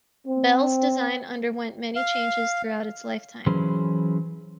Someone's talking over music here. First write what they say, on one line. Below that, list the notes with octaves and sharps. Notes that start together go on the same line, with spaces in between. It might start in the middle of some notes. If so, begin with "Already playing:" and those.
Belle's design underwent many changes throughout its lifetime.
C4
F5
E3 F#3 C#4 G#4 B4 C5